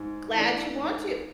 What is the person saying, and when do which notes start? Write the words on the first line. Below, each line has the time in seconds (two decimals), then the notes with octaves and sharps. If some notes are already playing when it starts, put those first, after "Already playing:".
Glad you want to,
Already playing: G#2
0.34 E3 A3 D4
0.77 G#2